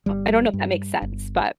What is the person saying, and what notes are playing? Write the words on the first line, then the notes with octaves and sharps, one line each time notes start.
uh, I don't know if that makes sense, but
G1 G3
G2
G1